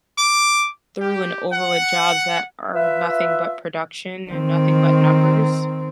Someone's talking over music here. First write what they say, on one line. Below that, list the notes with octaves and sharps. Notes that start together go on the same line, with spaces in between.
through and over with jobs that are nothing but production, and nothing but numbers.
D6
G4
F#5
F4 B4 E5
D#3 C4